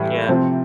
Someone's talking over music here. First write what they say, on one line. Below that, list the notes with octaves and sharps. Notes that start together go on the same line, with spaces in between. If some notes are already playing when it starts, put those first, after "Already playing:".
Mm yeah.
Already playing: A2 E3 G3
C3 F3 C4